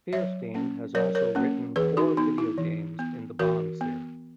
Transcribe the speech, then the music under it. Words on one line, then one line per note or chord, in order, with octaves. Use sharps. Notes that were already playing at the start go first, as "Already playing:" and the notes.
Feirstein has also written four video games in the Bond series.
F#3 C#5 E5
A#3 C#4
F#3 A#4 C#5
A#4 C#5
A#3 C#4
E3 G#4 B4
D#4 F#4
B3 D#4
E4
E3
B3
E3 F#4 A#4
B3